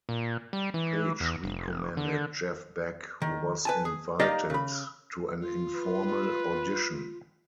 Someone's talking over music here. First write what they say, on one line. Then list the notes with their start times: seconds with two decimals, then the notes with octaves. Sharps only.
Page recommended Jeff Beck, who was invited to an informal audition.
0.09 A#2
0.53 G3
0.74 E3
1.20 E2
1.44 F1
1.97 D3
3.22 D#3
3.65 B4 G#5 A5
3.85 G#4
4.20 A#3 D#4 G4 D5 D#5 F5
4.50 C#3 B5
5.41 F4
5.75 B4